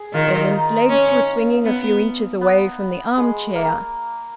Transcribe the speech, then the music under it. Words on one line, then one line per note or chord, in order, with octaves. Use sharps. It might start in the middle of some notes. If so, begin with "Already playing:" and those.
Edwin's legs were swinging a few inches away from the arm-chair.
Already playing: G#4
D#3 F4
D#4
C#4
B3
B3
G#3
A#3